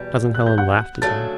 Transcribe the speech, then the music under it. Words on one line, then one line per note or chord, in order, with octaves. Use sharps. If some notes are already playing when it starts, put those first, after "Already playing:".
Cousin Helen laughed again.
Already playing: E2 B2 G3
F#6
G6
F#5 F#6
D2 C#3 F#3 A3 D4 A5 A6